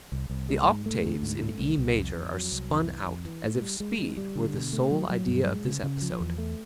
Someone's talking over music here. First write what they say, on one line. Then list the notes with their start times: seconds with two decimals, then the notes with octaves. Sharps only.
The octaves in E major are spun out as if speed were the sole idea of this episode.
0.12 C2
0.30 C2
0.49 G#3
0.68 G#2
0.86 A3
1.04 D2
1.22 G#2
1.40 A3
1.59 C2
1.78 C2
1.96 F2
2.15 F2
2.33 F#3
2.52 C2
2.70 F2
2.89 E3
3.06 F2
3.25 E3
3.44 A2
3.61 G3
3.80 G#3
3.99 G#3
4.17 G3
4.36 D3
4.54 B2
4.73 A3
4.91 F#3
5.10 F#3
5.28 G2
5.46 G#3
5.65 C#3
5.83 C#3
6.02 F3
6.20 E2
6.38 A3